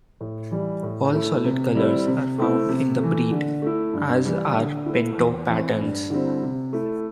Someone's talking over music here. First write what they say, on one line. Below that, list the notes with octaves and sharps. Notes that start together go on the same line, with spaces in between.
All solid colors are found in the breed, as are pinto patterns.
A2
E3 G3 E4
A2
A3 E4
C3
G3 C4 E4
C3
A3 C4 E4
C3
E3 A3
D3
A3 E4
G2
E3 G3
D3
A3 E4
E2
E3 C4 E4
G2
D3 G3 C4 E4
C3
A3 E4